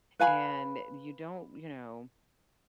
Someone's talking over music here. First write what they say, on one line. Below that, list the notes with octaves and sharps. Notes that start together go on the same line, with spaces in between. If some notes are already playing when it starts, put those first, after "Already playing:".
and you don't, you know
B4 F5 G#5 B5